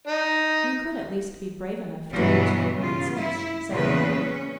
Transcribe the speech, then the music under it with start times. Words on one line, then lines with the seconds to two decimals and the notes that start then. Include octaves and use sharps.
"You could at least be brave enough to use your common sense," said her mother.
0.07 D#4
2.12 G2 B2 E3 F#3
2.75 G2 C#3 F4
3.17 E4
3.71 E2 A#2 C#3 G#4 B4
4.17 C#4